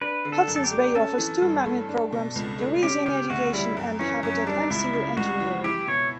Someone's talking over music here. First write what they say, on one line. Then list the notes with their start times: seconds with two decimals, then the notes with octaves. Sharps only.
Hudson's Bay offers two magnet programs-Careers in Education, and Habitat and Civil Engineering.
0.01 D4 B4
0.25 D3
0.32 A4
0.48 F#2
0.56 A4
0.64 G4
0.71 A3
0.95 C#4 A4
1.18 E3
1.42 G2
1.66 A3
1.89 D4
2.12 B2
2.36 C#2
2.59 A3
2.83 C#4 G4
3.06 C#3 G4
3.30 D2 F#4
3.53 G3 E4
3.77 F#2
3.99 E3 C#4
4.23 F#2 C#4
4.47 G3 D4
4.70 C#2 E4
4.93 C#3
5.17 C#2 F#4
5.40 E3
5.64 E4 G4
5.87 B2 C#5